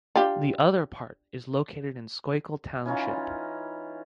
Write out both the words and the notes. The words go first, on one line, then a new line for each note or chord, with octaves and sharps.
The other part is located in Schuylkill Township.
D4 F4 G4
E3 C#4 D#4 F4